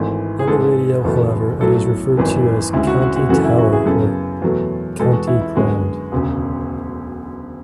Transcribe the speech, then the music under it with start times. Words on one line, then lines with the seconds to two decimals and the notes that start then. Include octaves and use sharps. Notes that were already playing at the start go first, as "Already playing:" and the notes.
On the radio, however, it is referred to as "County Tower" or "County Ground".
Already playing: G#1 G#2 E3 A3
0.39 G#4
0.48 A1 G#2 G#3 A4
1.04 F#1 E2 B2 A3
1.60 B1 A2 F#3 A4
2.17 G#1 F#2 E3 B3
2.73 D2 C#3 G#3 E4
2.87 F#4
3.02 F#4
3.16 F#4
3.29 F#2 C#3 E3 A3 F#4
3.44 E4
3.58 F#4
3.73 G#4
3.86 F#2 C#3 F#3 B3 A4
4.42 E2 B2 F#3 A3
4.99 E2 B2 G#3 A4
5.13 F#4
5.27 E4
5.41 E4
5.56 F#2 D3 G#3 B3 F#4
6.12 E1 D2 C#3